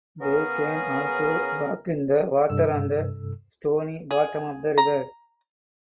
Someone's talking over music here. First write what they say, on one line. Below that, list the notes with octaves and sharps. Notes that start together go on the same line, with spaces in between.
They can also walk in the water on the stony bottom of the river.
C#3 B3 C#4 G#4 A#4
G2 C3 A4 E6
G#4
A#5